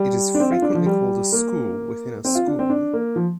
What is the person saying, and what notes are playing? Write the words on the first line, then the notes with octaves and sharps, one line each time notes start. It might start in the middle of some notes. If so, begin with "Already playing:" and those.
It is frequently called a school within a school.
Already playing: G3
D4
C4
F4
D4
F3
G3
A#3
C4
F4
D4
C4
D4
A#3
F3